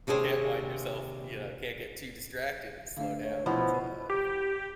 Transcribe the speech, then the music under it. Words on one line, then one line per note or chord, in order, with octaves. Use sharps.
can't wind yourself you know, can't get too distracted and slow down, it's, uh
D#2 C3 D4 G#4 C5 C#5
D3 A3 D4 F5
C#5
B2 F3 E4
G4